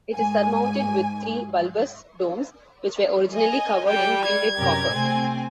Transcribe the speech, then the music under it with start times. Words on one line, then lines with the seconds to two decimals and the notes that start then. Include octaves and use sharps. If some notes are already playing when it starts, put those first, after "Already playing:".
It is surmounted with three bulbous domes, which were originally covered in gilded copper.
0.14 G#2 G#5
3.34 D#5 G#5
3.88 G3 G5
4.25 G#6
4.57 F#2 C3 G4 A#4
4.91 C3 A3 C4 G#5